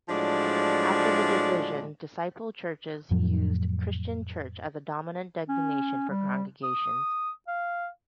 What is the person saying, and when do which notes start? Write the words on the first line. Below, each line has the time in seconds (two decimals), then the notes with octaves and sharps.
After the division Disciples churches used "Christian Church" as the dominant designation for congregations.
0.09 A2 F3 F#3 G#3 D4 D5
3.11 F2 A2 F3 F#3
5.49 C#4
6.10 G3
6.63 D#6
7.48 F5